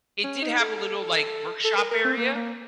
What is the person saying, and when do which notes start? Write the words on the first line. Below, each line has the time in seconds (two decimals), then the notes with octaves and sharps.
It did have a little, like, workshop area
0.24 C#4
0.42 D#4
0.60 A4
1.65 A4
1.78 A#4
1.91 A#4
2.05 C4
2.17 A#3
2.35 A#3